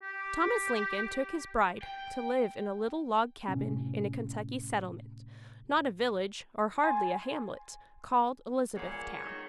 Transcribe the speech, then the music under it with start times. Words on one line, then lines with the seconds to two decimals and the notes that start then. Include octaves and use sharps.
Thomas Lincoln took his bride to live in a little log cabin in a Kentucky settlement--not a village or hardly a hamlet--called Elizabethtown.
0.02 G4
1.82 G5
3.48 A2 C3 C#4
6.84 G#5 C6 A6
8.76 A#2 G#3 B3 C#5
9.25 D#3